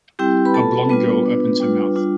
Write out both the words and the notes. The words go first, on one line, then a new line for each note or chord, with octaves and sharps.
A blond girl opens her mouth.
G3 C4 E4 G4 G5
B4 B5
B3 F4 A4 A5
G3 B3 D4 F4 B4
B3 D4 F4
G3 D4 F4
G3 D4 F4